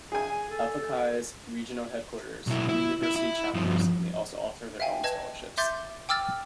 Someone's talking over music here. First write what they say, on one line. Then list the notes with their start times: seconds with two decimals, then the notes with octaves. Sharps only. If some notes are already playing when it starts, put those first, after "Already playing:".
Alpha Chi's regional headquarters and university chapters may also offer their own scholarships.
0.12 G#4 G#5
0.49 A4
2.47 B1 E4
2.69 E4
3.03 E4
3.16 E4
3.54 G2 F3
4.80 E5 F5 G5 G#5
5.04 B4 D#5 A5 G#6
5.58 E5 C6 D6 G6 A6
6.09 G5 D6 E6 F6 A6